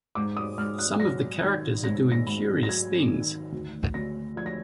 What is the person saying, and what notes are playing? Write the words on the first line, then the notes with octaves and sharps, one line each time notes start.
Some of the characters are doing curious things.
G#2 D6
D#6
G#2 F6
F#6
F#3 A#6
D#3 G#6
G#2 A#6
A#6
G#2 B5
A#6
F#3 G#6
D#3
D2
D2 A#6
F3 G#6
A#6